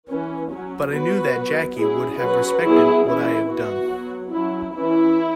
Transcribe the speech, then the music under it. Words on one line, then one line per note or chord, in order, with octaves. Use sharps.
But I knew that Jackie would have respected what I had done.
E3 C#4
F#3 C#4
F#3 B3 F#4 B4
F#3 B3
F#3 C#4 E4 G#4
F#3 C#4 F#4 B4
F#3 B3 E4 G#4
E3 C#4 E4
E3 B3 F#4
F#3 B3
F#3 C#4 E4
E3 C#4 E4